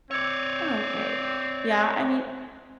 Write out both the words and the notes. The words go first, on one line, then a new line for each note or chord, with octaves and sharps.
Oh, okay, yeah, I mean
C4 C#5 D5 E6 G#6 C#7